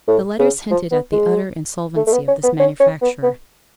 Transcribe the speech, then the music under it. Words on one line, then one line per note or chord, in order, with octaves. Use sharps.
The letters hinted at the utter insolvency of this manufacturer.
A2
C#3
F3
B3
G#3
A3
A3
B3
C#4
B3
C#4
C#4
B3
B3